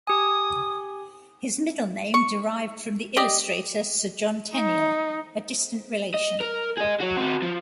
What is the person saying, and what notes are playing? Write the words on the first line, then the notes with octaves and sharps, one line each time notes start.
His middle name derived from the illustrator Sir John Tenniel, a distant relation.
G4 G#5 D#6
C#6
G4 D5 D#5
D#4
D#5
A#4
G#4 D#5
F#4 C#5
C4 F#4
F3